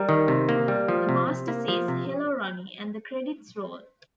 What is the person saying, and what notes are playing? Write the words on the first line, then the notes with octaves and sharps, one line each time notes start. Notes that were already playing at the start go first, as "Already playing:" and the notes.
The Master says "Hello, Ronnie," and the credits roll.
Already playing: G3 A#4
D#3
C3
A#3
G3
F3
C3
C3
A#3
F3
C3